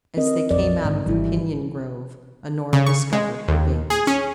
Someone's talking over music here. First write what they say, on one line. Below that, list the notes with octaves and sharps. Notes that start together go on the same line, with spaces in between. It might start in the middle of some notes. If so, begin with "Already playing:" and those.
As they came out of the pinon grove, Honora discovered her babies.
C4 A#4 D#5
A#1 F2 D5
G#2 D3 D#3
G#1 E3 G3 E4
C#3
C#6
G#3
D#2
G#4
C#4